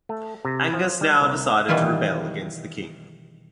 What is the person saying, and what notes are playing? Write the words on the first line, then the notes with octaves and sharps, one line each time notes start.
Angus now decided to rebel against the king.
A3
C3
F3
G3
C2
B2 D#3 E3 G3 E4 F4